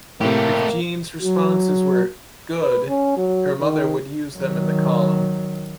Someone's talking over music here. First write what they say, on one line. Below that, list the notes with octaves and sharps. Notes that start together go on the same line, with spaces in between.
If Jeanne's responses were "good", her mother would use them in the column.
A2 C3 A3 A#3 G4
F#3
B4
C#4
F#3
D#3
D#3 F#3